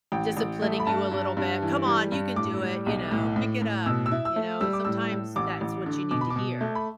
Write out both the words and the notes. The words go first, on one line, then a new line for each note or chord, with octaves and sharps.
Disciplining you a little bit, "Come on, you can do it," you know, "Pick it up," you know, sometimes that's what you need to hear.
A1 G5
A1
A3
B5
G2 A5
G2
G2
E3
G3
G2
A2 D6
G3
B1
A2
A2
A2
B2 E6
E6
E4
E6
A3
G3 E6
D6
A2 E6
A2
A1 D6
A1
D3
B2 D6
B5
D6
B2
A3
B5